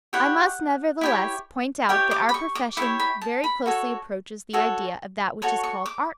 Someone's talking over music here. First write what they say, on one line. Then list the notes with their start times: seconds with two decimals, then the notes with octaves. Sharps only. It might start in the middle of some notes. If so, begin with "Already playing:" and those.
I must nevertheless point out that our profession very closely approaches the idea of that which is called art.
0.13 E4 G4 C#5 F#5
1.01 E4 G4 C#5
1.89 E4 G4 C#5 G5
2.11 D6
2.29 B5
2.34 C#6
2.55 D6
2.77 E4 G4 C#5 C#6
3.00 B5
3.22 A5
3.44 B5
3.66 F#4 A4 C#5
4.53 F#4 A4 C#5
5.42 F#4 A4 C#5 C#6
5.63 C#6
5.86 D6